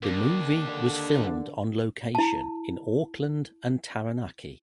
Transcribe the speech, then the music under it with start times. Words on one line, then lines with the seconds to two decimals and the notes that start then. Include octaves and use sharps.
The movie was filmed on location in Auckland and Taranaki.
0.03 D#2 D4 A#4 D6
0.68 D3
2.15 E4 A5